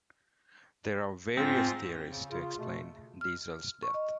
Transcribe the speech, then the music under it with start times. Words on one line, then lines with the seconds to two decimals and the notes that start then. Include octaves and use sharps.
There are various theories to explain Diesel's death.
1.37 G#2 C4 F4 A#6
2.07 C#3
2.31 C#3 F4
2.58 B2 A3
3.21 F6
3.83 C#6
3.94 D#5